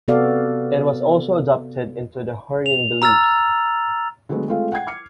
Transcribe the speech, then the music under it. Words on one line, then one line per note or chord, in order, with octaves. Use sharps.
It was also adopted into Hurrian beliefs.
C3 B3 F#4 A4 D5 F5
F7
A#5 E6 F6 A6
D3 F#3 G#3 A3 B3
G#3 A3 C4 F4 A4 F5
F#5 G5 G#6 C7
D6 F6 C#7